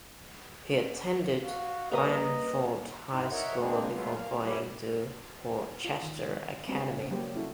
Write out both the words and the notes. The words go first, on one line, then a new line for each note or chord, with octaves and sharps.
He attended Branford High School before going to Worcester Academy.
F#4 F5
G3 A#3 B4 D#5 A#5 B5 D#6
G#2 C4 D#4 E4
A#4 C#5 D#5 E5 F#5
G#3 A#3 C4 D4 G#4
F#3 G#3 A3 B3 F4
A#3 F5
G3 E4 G4 C#5
F4
D#3
G3 G#3 B3 C4 D4 F#4
C#3
F#3 G3 A#3 G4 C5
C#4 E4 F#4 A4 C#5